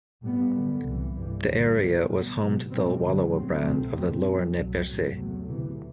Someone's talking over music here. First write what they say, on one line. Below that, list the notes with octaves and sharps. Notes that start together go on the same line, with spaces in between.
The area was home to the Wallowa band of the Lower Nez Perce.
A2 G3 B3
F#2 D3 G3
C2 C3 E3
G2 E3 G3
D2 C3 E3 G3
B2 G3 B3
A2 G3 B3
B2 F#3 B3
A2 G3 C4
D2 D3 F#3
A2 F#3 C4
C2 B2 F#3 A3 C4
F#2 E3 A3 C4
A2 F#3 A3
C2 B2 F#3
A2 F#3 C4
E2 C3 F#3 A3
D2 C3 E3